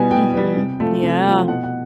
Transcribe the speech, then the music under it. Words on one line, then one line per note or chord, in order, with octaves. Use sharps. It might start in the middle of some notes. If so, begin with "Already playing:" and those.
Mhm. Yeah.
Already playing: B2 G3 B3 G#5
B2 G5
G3 B3
C3
F3 A3
C3
F3 A3
B2 F#5
F#5